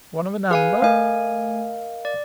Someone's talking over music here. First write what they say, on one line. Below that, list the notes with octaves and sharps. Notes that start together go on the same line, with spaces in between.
One of a number?
G#4 B4 F5 G#5
A3 A#4 D#5 F5 G#5
D5